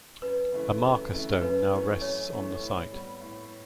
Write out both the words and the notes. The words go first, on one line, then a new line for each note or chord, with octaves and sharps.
A marker stone now rests on the site.
F#2 B4
C#3 E3 A3
F#2
C#3 E3 A3
F#2 B4
E3 A3 C#4
F#2 C#5
E3 A3 C#4
A2
G3 B3
A2